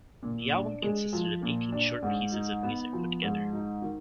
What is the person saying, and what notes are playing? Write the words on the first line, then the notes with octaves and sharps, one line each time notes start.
The album consisted of eighteen short pieces of music put together.
A#2
D4
G#3
F3
A#2
D4
G#2
D#4
B3
F3
G#2
D#4
D#3